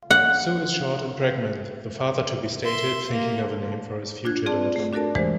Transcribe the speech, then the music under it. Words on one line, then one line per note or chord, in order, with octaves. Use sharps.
"Sue is short and pregnant", the father-to-be stated, thinking of a name for his future daughter.
F#5
E5 C6
A#3
D4 F4 F#6 G#6
C4 F4 G#4 D5 A5
A3
D4 F#4 A4 A#4 D5 A5
E3 G#3 A3 G4 C5